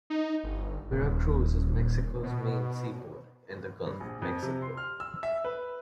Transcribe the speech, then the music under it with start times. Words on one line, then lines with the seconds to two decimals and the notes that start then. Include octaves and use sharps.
Veracruz is Mexico's main seaport in the Gulf of Mexico.
0.10 D#4
0.44 G1
0.91 D#1
2.23 B2
3.87 G2
4.00 A#1
4.22 F2
4.42 C3
4.62 C6
4.77 F6
5.00 E6
5.23 E5
5.45 B4